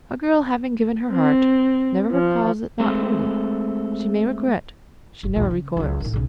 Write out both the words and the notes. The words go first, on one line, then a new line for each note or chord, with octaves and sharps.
A girl, having given her heart, never recalls it not wholly: she may regret; she never recoils.
C4
F3
G#3 A3 C4
G1
A#1 D#2
C#3
C#2 F#3
A2 D#3
B1 C#3